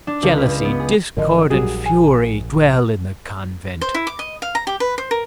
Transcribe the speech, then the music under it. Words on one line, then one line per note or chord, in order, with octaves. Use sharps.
Jealousy, discord, and fury, dwell in the convent.
D4
C#2
B4
B3
G#4
G#1 D3 F3 A#4 D#5
A#1 F#3 G3 G#4
G#5
C5
E4
D6
D#5
F5
A#5
G4
B4
C5
A#4